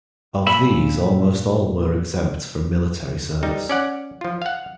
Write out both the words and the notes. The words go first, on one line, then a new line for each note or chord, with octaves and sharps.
Of these almost all were exempt from military service.
A#2 E5 B5
G3 D#4
C#4 D5 F#5
F3 F4
F5 F#5